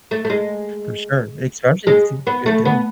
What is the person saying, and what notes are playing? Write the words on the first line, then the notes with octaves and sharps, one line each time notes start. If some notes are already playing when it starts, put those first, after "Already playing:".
for sure. Especially if it's a good deal.
A3
A3
G#3
G#3
B3
A3
B3